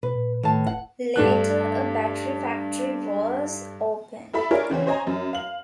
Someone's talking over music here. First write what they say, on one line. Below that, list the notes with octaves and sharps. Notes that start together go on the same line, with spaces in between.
Later a battery factory was opened.
B2 B4
A#2
A2 D#3 A5
D1 F#5
G2 A3 D4 F#6
E4 A4 E5 B5
D4 E4 F4 G#4 A#4 C#5
C#3 E3 C4 C#4
C5 C#5 D#5 G#5 A#5
F#2
F5 F#7